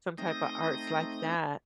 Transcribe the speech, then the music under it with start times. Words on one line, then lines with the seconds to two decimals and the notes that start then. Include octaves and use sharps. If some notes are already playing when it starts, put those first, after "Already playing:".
some type of arts like that.
0.18 A3 C4 D#4 D#6 A#6